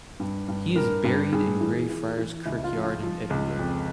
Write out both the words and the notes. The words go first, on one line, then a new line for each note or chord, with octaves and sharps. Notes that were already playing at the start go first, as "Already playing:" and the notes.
He is buried in Greyfriars Kirkyard in Edinburgh.
G2
G2
G2 A#4
G2
G2 G#4
E3
E3
E3
C#2 E4
F4
F3
F4
F3
C#2
F2